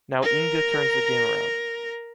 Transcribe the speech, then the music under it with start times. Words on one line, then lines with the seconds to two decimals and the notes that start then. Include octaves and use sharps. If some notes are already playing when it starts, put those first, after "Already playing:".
Now Inge turns the game around.
0.22 A#4 A#5